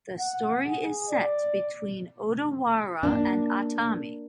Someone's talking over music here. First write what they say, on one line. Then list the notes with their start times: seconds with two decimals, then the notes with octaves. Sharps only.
The story is set between Odawara and Atami.
0.19 F#5
0.67 G#4
1.09 D5
3.03 A#3 D4